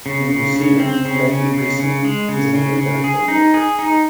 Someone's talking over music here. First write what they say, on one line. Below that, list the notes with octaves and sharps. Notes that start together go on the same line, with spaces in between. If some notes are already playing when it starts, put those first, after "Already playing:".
In New Zealand, life imprisonment is mandatory for murder.
C#3
C#3
C#3
C4
C#3
C#3
C#3
C#3
G#3
C#3
C#3
C#3
G#4
D#4
G#4
D#4